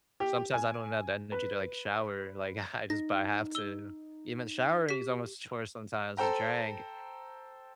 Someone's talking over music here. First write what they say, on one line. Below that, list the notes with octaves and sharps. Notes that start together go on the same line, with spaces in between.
sometimes I don't have the energy to like shower, like, I jus but I have to. Even showering is almost a chore, sometimes a drag.
G4
G#5
B4
D#4 A#6
E6 G7
G4 B6
A4 C5 G5 A#5